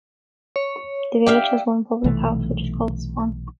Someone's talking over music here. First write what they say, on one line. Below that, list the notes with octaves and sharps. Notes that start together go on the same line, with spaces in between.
The village has one public house which is called the Swan.
C#5
G4 D5 E5 F5
B1 C3 E3 A3